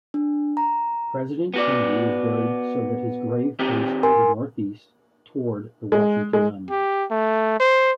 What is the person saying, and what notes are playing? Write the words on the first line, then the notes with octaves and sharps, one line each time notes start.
President Kennedy was buried so that his grave faced northeast toward the Washington Monument.
D4
A#5
B3 F#4 D5
D#3 C4 G4
A#4 G#5 C6
G#3
G#3
G4
A3
C5